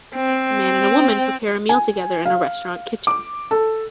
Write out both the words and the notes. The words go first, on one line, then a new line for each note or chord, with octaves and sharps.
A man and a woman prepare a meal together in a restaurant kitchen.
C4
G#5
F5
D6
A4